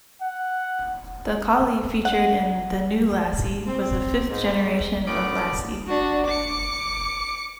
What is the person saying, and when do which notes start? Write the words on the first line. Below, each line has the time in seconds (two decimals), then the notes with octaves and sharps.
The collie featured in "The New Lassie" was a fifth generation of Lassie.
0.21 F#5
2.05 F#5
3.67 C4
4.30 G#2
5.07 F#2 A2 B3 C#4 G#4 D5
5.88 D4 F#4
6.26 D6 C#7